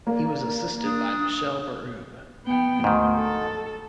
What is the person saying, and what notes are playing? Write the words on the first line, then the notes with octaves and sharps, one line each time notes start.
He was assisted by Michelle Berube.
A#3 D5
D4 D#6
B3 G5
D2 G#2 D#3
A4